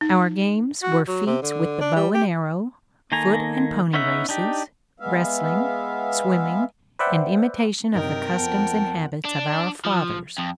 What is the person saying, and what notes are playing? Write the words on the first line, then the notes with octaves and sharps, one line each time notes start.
Our games were feats with the bow and arrow, foot and pony races, wrestling, swimming and imitation of the customs and habits of our fathers.
D#4
F#4
F#3
C3
D3
D4
G3
G4
D#3 A#3 A4 G#5 A#5
B3 C#4 D#4 E5 F#5
D4 D#4 G4
G#3 B3 E5 F5
B4 C5 D5 E5 F#5 G5
G2 C3 F#3 D#4 A#4 D#5 G5
F2 B3 C5 F#5 A5
D4
F3
F2